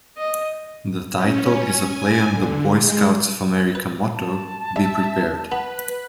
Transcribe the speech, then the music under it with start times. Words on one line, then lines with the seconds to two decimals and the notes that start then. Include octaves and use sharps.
The title is a play on the Boy Scouts of America motto "Be Prepared".
0.17 D#5
1.14 C#4
1.80 G#5
2.25 D3
2.71 G#3
3.75 B4
4.15 A5
4.76 G3 E5
5.52 B3 B4